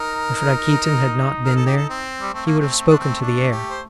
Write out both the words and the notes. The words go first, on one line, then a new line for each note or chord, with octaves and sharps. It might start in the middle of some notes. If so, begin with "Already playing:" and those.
If Rakitin had not been there, he would have spoken to the air.
Already playing: D#4 A#4
A#4
A4
G4
A4
C4
G3
A3 C4
A#3
C4
C4
D4
C4
D4
G4
C5